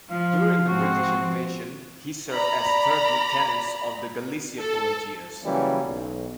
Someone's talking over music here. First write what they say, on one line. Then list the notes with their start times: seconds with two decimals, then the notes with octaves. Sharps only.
During the British Invasions he served as Third Lieutenant of the Galicia Volunteers.
0.10 F3 F5
0.68 G#2 F3 C4 F#4
2.33 D5 A#5 B5
4.57 A4
5.44 C#3 E3 F#3 G3 A#3 C#4
5.84 B1